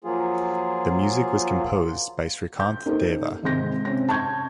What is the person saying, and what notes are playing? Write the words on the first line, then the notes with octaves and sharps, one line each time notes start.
The music was composed by Srikanth Deva.
F3 F#3 A#3 F4 G#4
G6
A#3 D#4 G4 A4 C5
G#1 C3 G#3 G6 A#6
C3 C#4 A#6
A5 C#6 G6 G#6